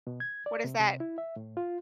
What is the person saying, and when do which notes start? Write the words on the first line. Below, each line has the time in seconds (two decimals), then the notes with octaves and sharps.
what is that?
0.07 B2
0.20 G#6
0.46 D5
0.64 C3
0.80 C3
1.00 E4
1.18 E5
1.36 A2
1.57 F4